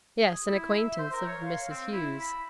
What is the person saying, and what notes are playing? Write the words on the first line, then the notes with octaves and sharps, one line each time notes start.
"Yes, an acquaintance of Mrs. Hughes."
G#4
E4
E5
C5
A#4
C#5
F5
C4
E4
B5